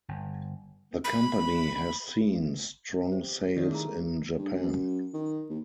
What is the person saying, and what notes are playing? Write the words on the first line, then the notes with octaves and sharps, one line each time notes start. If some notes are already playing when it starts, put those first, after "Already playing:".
The company has seen strong sales in Japan.
G1
B5
G4 C5
D#3 E4 A4 C#5 D5
A3 G#4 A#4 A#5
G2
F#2
D#3
D#2